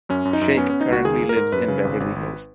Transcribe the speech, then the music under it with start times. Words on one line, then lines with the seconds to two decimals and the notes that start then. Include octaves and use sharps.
Shake currently lives in Beverly Hills.
0.09 F#2 C#4
0.25 F#2
0.33 D#4
0.41 F#2
0.57 B3 C#4
0.70 B3 C#4
0.81 D#4
0.89 C#2 F#4
1.05 D#3 G#4
1.20 A#3
1.29 A#4
1.36 G#2
1.52 F#2 B4
1.68 C#3
1.85 G#1
2.00 G#1
2.16 G#1